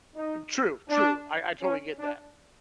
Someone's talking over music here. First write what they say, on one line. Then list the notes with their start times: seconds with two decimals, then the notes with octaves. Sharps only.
True. True. I I totally get that.
0.16 D#4
0.90 D4
1.63 C#4
1.99 D4